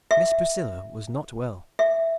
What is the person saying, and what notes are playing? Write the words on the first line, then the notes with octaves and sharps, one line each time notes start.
Miss Priscilla was not well.
E5
E5